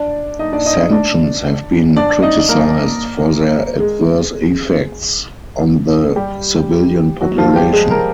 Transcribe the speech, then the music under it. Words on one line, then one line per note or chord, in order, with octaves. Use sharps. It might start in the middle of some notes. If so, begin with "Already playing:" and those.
Sanctions have been criticised for their adverse effects on the civilian population.
Already playing: D4 D5
D#4 D#5
D4 D5
D#4 D#5
D4 D5
D4 D5
D#4 D#5
A#3 A#4
G#3 G#4
G3 G4
F#3 F#4
F3 F4
G3 G4
G#3 G#4
A#4